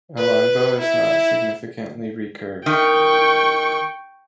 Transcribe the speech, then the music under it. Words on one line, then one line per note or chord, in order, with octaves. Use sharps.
A longbow is not significantly recurved.
B4
E4
D#3 G5 C#6